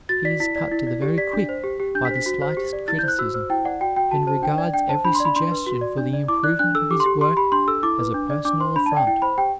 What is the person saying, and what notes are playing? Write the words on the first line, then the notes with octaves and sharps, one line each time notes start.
He is cut to the very quick by the slightest criticism, and regards every suggestion for the improvement of his work as a personal affront.
F#4 A6
D5 B6
E4 B6
D5
E4
D5
G4
D5 B6
D4
C5
G4
G4
D4 G6
B6
C5
B6
F#4
C5
G4
D5
E4 A6
G6
C5 F#6
F#4 E6
C5 E6
E4 G5
D5 F#5
F#4 G5
F#4 G5
F#4 A5
C5 A5
D4 G5
D5
D4 G5
C5 A5
D4 B5
C6
D5
B5
D4 C6
B4
F#4
D5
D4
D5
E4 D6
D5 F#6
D4 F#6
A4 E6
G4 D6
C6
G4
G4 C6
G4 B5
D4 C6
A4 E6
E4 D6
B4
D4
D5
D4 D6
C5 C6
D4 B5
A5
D5 G5
E4 G5
C5 B5
G4 G5